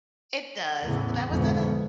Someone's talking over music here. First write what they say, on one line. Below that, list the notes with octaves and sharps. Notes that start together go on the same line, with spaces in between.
it does, but I was at a
E2 A2 C#3 E3 B3
G#1 F2 B2 D3 G#3 B3